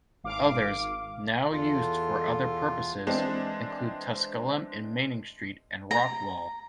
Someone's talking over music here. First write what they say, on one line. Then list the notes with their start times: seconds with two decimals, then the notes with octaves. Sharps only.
Others, now used for other purposes, include Tusculum in Manning Street and Rockwall.
0.24 G#1 F5 D6
1.52 E2 F4 A4
3.07 E3 G#3 C4 D4
5.91 A#5